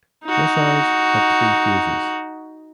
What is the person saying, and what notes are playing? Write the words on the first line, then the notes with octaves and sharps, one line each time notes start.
Dressage had three phases.
D#4 F#4